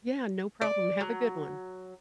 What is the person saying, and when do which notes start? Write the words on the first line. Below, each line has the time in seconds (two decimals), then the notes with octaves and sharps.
Yeah, no problem, have a good one.
0.61 D5
1.01 F#3